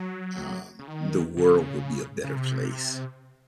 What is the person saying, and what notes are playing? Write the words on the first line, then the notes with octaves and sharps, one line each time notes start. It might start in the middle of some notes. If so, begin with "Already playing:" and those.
um, the world would be a better place.
Already playing: F#3
C#3
D#3
C#3
C#3
C3